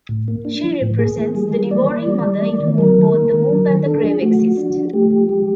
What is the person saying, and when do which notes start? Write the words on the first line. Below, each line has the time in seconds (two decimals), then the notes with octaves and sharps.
She represents the devouring mother, in whom both the womb and the grave exist.
0.09 A2
0.28 A#3
0.45 D4
0.64 F3
0.81 A2
0.99 A#3 G#4
1.17 E3
1.35 G3
1.53 E3
1.71 A#3 D5
1.88 E3
2.06 G3
2.24 E3
2.42 A#3
2.60 D#3
2.78 F#3 A#4
2.96 D#3
3.14 A#3
3.32 D#3
3.49 F#3
3.67 D#3
3.86 D4 A4
4.03 F3 G#4
4.21 A3 F#4
4.39 F3
4.57 D4
4.75 F3
4.93 A3 G4
5.11 F3
5.29 G#3